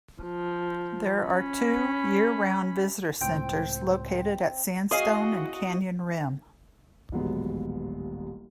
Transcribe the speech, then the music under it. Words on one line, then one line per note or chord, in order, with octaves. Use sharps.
There are two year-round visitor centers located at Sandstone and Canyon Rim.
F3
C#4 B5
C#2 A2 C4 G5
C4 E4 F#4 G#4 D#5 F5 G#5
D#1 A1 F#3 G#3 B3